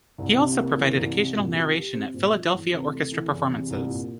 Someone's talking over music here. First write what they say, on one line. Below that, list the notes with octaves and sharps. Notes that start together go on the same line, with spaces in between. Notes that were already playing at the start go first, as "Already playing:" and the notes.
He also provided occasional narration at Philadelphia Orchestra performances.
C2
C3
A#3
E3
C2
C3
A#2
F3
G4
C4
A#2
F3
E2
C3
A3
E3
E2
C3
C2
A#2